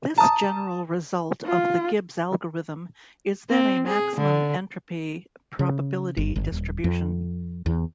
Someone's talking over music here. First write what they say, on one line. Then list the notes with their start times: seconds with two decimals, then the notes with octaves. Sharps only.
This general result of the Gibbs algorithm is then a maximum entropy probability distribution.
0.18 A5 A#5 D#6
1.46 F4
3.50 C4
3.88 G#4
4.17 D3
5.59 C#3
6.17 G1
6.36 G1
6.52 D#1
6.84 F2
7.66 E2